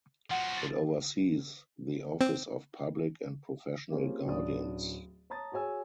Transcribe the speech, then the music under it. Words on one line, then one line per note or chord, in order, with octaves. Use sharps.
It oversees the Office of Public and Professional Guardians.
F3 F#4 F#5
A6
C4
A#3 C4 C#4 F4 G4 G#4
D1 C#4 D4 D5 D#6
C#5 A5 A#5 D#6 A6
F#4 G#4 C#5 G#5 E6